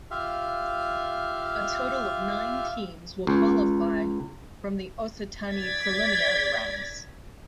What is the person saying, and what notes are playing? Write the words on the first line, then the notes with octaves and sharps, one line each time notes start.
A total of nine teams will qualify from the Occitanie preliminary rounds.
F4 G4 E5 F5
C#2
D5 G#6 A6 B6